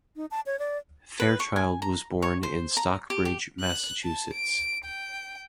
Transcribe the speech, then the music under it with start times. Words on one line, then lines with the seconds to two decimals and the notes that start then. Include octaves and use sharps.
Fairchild was born in Stockbridge, Massachusetts.
0.16 D#4
0.31 A5
0.46 C#5
0.59 D5
1.20 B4
1.40 C#6
1.56 G#5
1.82 A#5
2.22 C#5
2.43 C5
2.77 A#5
3.10 G4
3.25 G4
3.60 F#6
4.03 A5
4.33 D7
4.85 G5